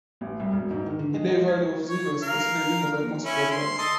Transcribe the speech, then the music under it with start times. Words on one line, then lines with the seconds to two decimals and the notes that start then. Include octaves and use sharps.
A day value of zero is considered illegal by most programs.
0.21 A1
0.40 C2
0.53 E1
0.71 G#2
0.86 D#3
0.99 D3
1.14 G#3
1.28 G#3
1.48 G#6
1.89 C#5
2.23 A#4 F5
3.25 C#4 E4
3.51 C6
3.78 A4 D#5 C6